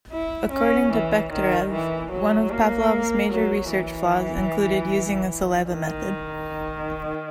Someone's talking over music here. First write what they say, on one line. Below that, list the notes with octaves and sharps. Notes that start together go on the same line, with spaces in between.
According to Bekhterev, one of Pavlov's major research flaws included using a saliva method.
E4
C#4
E3
D#3
E3
F#3
A#3
F#3
E3
D#3